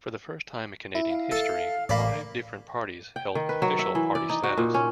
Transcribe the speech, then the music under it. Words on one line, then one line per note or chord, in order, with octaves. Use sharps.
For the first time in Canadian history, five different parties held official party status.
E4
F5
A4
A1 A#3 D5 F5 B5
G5
D#3
B4
F#3
E5
E3
D5
D#4
F#4
A#2
C#4